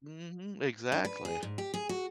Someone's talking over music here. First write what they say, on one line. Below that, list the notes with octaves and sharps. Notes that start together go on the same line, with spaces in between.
Mhm, exactly.
D4
B4
G#4
G#2
G4
G#4
F#4